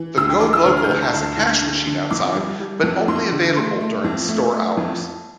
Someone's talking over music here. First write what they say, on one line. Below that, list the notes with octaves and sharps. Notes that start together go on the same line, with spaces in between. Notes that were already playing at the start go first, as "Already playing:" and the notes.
The Go-Local has a cash machine outside but only available during store hours.
Already playing: E3
D2 E6
G5
E3 D6
E6
D2 F6
F6
G6
D2 F6
A5
D2 A5
D2
D3
D3
F2 D6
G3
G3
F2
F2 C6
D3
A3 C6
A3
F2
A3
A3
F2